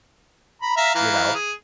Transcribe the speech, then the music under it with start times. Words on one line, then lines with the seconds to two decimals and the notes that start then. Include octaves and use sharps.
you know?
0.62 A#5 B5
0.77 E5 F5 A#5
0.95 E3 F5 A#5
1.35 G#4